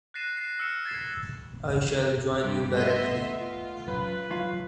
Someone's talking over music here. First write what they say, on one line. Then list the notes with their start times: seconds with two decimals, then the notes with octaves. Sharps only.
I shall join you directly.
0.14 F#6 A6 A#6 C7 D#7 E7
0.37 A#6 C7
0.59 E6 F6 C#7 E7
0.85 G#6 A6 B6 C7 E7
2.38 G2 G4
2.75 A3 B3 D#5 E5 C6
3.39 F4
3.88 F#2 B4
4.30 F#3 F4 F5